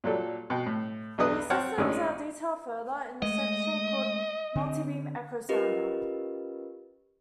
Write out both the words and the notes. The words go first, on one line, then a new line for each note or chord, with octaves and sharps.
These systems are detailed further in the section called multibeam echosounder.
A#2 F#3 G3 A4
B2 G5
A2
B1 E2 D4 B4 D#5 D#6
C4 C#5 F#5 G5 A5 F6
A1 D#3 G#3 C#4 D4 E6
G#3 A3 D#5
D3 C4
C#4 F4 G4 A#4 B4 D#5